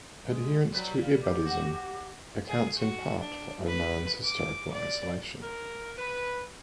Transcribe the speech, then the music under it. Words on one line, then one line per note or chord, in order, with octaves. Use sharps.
Adherence to Ibadism accounts in part for Oman's historical isolation.
G#3
F#3 G3 B4
F5
G4
F#4
G#4
F#4
D4
B4
D6
D5
A#4
B4